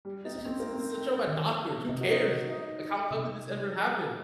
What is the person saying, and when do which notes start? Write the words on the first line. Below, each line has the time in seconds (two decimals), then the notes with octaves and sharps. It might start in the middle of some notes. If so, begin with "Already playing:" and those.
This is this is this is a show about doctors. Who cares? Like, how the hell did this ever happen?"
0.05 G3
0.25 D#4
0.46 C4
0.60 A#3
0.73 C4
1.27 D#3
1.89 C3 D#4
2.00 F#4
2.11 D#4
2.49 D#4
2.80 D#4
3.11 C3